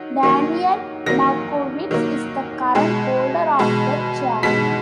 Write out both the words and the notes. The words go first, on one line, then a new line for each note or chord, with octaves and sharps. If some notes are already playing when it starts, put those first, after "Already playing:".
Daniel Markovits is the current holder of the chair.
Already playing: D#3 F#3
D#3 F#3 A#3
D#3 F#3 A#3 A#6
D#3 F#3 A#3
B2 G#3
B2 G#3
B2 G#3 B6